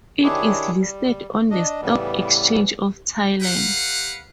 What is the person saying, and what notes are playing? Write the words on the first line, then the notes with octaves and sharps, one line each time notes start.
It is listed on the Stock Exchange of Thailand.
D#3 D4 E4 G4 G#4 C#5
G3
D4 D#5
A2 C#3 E3 G3 B3
G4 B4 F5 F#5